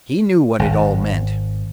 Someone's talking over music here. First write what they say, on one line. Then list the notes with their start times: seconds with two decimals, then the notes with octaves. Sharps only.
He knew what it all meant.
0.59 G#1